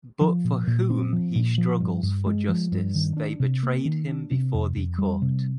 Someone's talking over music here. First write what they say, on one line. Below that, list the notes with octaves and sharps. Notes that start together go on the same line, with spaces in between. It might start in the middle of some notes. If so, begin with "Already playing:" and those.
But for whom he struggles for justice they betrayed him before the Court.
F3
A#2
A#2
C4
F3
A#2
F3
G2
G2
G#3
F3
G2
D#3
D4
C3
A#3
D#3
D4
C3
F2
F2
G3
C3